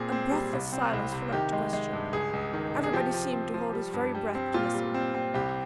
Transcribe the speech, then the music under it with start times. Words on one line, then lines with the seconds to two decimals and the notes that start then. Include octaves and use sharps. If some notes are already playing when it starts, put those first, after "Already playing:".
A breathless silence followed the question--everybody seemed to hold his very breath to listen.
Already playing: A#2 C4 G#4
0.12 C4
0.32 G3
0.53 C2
0.73 C4
0.93 C2
1.13 C3
1.32 D#3 G4
1.53 G#3
1.73 G#3
1.93 G2
2.13 C#2 G#4
2.33 C#2
2.53 D#3
2.74 C3
2.83 G#4
2.93 F3 G4
3.14 F3
3.33 C4
3.54 F3
3.73 G3
3.94 G2
4.15 G3
4.35 C4
4.54 A#2 F4
4.74 G3
4.94 C4
5.14 C4
5.34 C2 G4